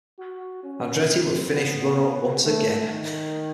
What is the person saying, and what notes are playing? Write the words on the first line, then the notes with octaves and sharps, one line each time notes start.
Andretti would finish runner-up once again.
F#4
C#4
C4
B3
A3
D#3